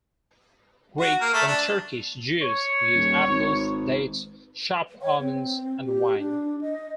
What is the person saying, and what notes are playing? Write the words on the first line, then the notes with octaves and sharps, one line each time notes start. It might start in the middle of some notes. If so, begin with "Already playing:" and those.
Greek and Turkish Jews use apples, dates, chopped almonds, and wine.
F#4
A#3
A3
D4
C#5
D#1
G#1
C#5
C4
G4
D4
D#5